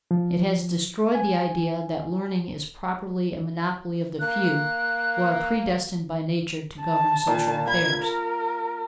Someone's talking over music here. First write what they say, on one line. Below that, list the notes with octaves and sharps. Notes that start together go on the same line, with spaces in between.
It has destroyed the idea that learning is properly a monopoly of the few who are predestined by nature to govern social affairs.
F3
G#5
A#3 F#6
A5
A#2
B5 G#6
A#4